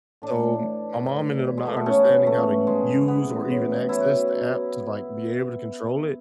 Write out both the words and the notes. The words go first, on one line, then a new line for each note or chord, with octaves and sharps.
So my mom ended up not understanding how to u use or even access the app to like be able to control it
A2 D4
E3
A2
E3
G#3
A3
B3
G#2 C#4
E3 A3
G#2 G#3
E3 B3
A2
F#3 E4